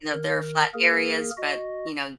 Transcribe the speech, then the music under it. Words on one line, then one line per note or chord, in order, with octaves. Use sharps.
you know, there are flat areas, but, you know
D#3 A#4
A#3 G#4 A#4
F#4 D#5